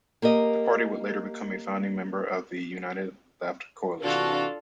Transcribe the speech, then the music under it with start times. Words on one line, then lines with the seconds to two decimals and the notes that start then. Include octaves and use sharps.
The party would later become a founding member of the United Left coalition.
0.22 A#3 G4 A#4 D#5
4.03 C3 E3 D4 F4 F#4 A4